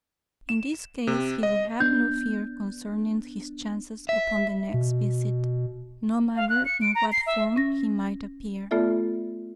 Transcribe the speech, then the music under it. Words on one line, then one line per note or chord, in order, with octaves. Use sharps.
In this case he would have no fear concerning his chances upon the next visit, no matter in what form he might appear.
E7
C3
D#5
B3 D4 G6
E5
B2
F5
F#6
C#7
D7
A#5
C7
E5
C#4 A#6
A3 B3 F4 A4 D5 E5